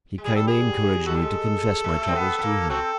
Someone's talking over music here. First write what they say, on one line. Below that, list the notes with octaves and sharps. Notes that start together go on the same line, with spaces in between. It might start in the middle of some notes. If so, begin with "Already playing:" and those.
He kindly encouraged me to confess my troubles to him.
G#3
G3 G#4
A4
G#4
G#3 F#4 A4
G3
G#3
G#3
A3
C4
B3
B3
A#3
C4 F#4 A4